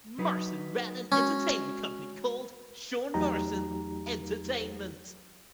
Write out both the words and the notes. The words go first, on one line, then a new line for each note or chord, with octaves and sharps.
Morrison ran an entertainment company called Sean Morrison Entertainment.
F#3 D#4 B4
G#3 C#4 F#4
E2 F#3 A3 D#4 G4 A#5